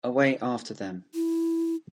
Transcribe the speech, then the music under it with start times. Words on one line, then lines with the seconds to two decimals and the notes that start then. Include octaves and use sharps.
Away after them!
1.15 E4